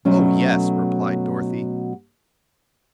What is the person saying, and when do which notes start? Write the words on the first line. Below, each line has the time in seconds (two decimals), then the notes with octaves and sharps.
"Oh, yes," replied Dorothy.
0.05 B2 F#3 A3 C#4